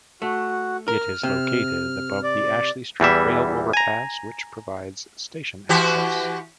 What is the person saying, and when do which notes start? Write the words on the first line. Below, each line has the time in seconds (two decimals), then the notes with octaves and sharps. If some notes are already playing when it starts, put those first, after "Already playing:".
It is located above the Ashley Street rail overpass, which provides station access.
0.22 A3 F#4
0.88 A#4 F6
1.23 C3
2.23 D5
3.00 E2 E3 G3 E5
3.73 G#5 A#5
5.69 E3 F#4 G4